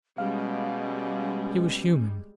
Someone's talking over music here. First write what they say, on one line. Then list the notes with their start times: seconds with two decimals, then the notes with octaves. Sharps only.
He was human.
0.18 B2 G3 G#3 C#4 F5